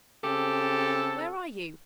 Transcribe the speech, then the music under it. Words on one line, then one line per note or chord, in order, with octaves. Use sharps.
"Where are you?"
C#3 C4 G4 A4